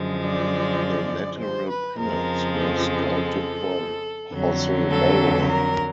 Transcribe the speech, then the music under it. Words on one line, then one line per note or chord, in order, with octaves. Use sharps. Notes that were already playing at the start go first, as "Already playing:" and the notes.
The lateral panels were sculpted by Jose Bellver.
Already playing: F#2 D3 F3 G#3
D5
C5
B4
F2 C#3 F3 G#3 A#4
A4
F2 D3 F#3
A4
A#4